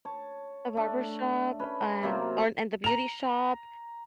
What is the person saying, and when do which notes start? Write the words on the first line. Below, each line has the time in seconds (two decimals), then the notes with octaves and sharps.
The Barbershop and or, and The Beauty Shop,
0.05 C#5 A5
0.77 A3 D4
1.59 C#4 B4
2.03 C3 F#3 A#3 F4
2.84 A#5 F7